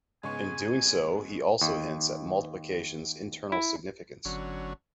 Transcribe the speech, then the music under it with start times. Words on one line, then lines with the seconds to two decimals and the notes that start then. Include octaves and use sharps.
In doing so he also hints at multiplication's internal significance.
0.23 G#2 C#3 G#3 B3 G#5 C#6
1.61 D#2
3.52 E4
4.25 G1 D3 F#3 C#4